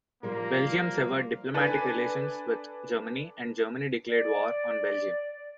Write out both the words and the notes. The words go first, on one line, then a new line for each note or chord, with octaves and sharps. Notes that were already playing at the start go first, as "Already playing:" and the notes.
Belgium severed diplomatic relations with Germany and Germany declared war on Belgium.
F3 G3 A#3 A#4
D4 A4 B4 G#5
D5